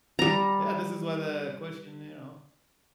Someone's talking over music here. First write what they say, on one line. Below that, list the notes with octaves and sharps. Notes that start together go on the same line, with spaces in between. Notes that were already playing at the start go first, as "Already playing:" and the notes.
Yeah, this is why the question, you know
G3 A#5